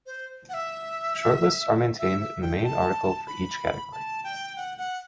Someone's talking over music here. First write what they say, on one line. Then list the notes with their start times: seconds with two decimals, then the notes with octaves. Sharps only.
Shortlists are maintained in the main article for each category.
0.06 C5
0.49 F#5
0.54 E5
1.98 E5
2.20 E5
2.42 G5
2.63 A5
3.27 B5
3.92 A5
4.24 G5
4.56 F#5
4.78 F#5